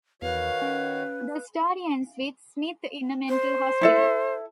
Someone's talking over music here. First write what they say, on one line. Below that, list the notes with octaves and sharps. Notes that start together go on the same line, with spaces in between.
The story ends with Smith in a mental hospital.
E2 D#3 F#4 B4 C#5 F5
C#4
C5
E4 A4 E5